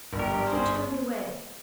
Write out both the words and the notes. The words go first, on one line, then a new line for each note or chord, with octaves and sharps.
He turned away.
G1
G4 A#4
G2
G#4 C5
G1